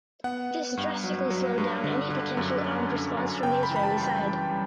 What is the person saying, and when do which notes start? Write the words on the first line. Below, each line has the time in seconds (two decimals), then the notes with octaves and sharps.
This drastically slowed down any potential armed response from the Israeli side.
0.24 B3 F#5
0.51 B3
0.77 G2
1.04 F#3
1.30 F#3
1.58 G2
1.84 D3
2.10 D3
2.37 F#2
2.64 C#4
2.90 D3
3.17 F#2
3.43 C#3 G5
3.63 B5
3.70 E3
3.76 B5
3.83 A5
3.96 G3
4.03 G5
4.23 E3
4.49 G3